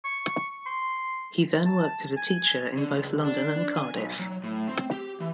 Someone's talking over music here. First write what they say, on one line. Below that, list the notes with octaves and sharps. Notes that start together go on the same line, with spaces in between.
He then worked as a teacher in both London and Cardiff.
C#6
C6
A5
G#5
D3
C#2
D4
G#5
B1
F#3
A2
C4
G4
E3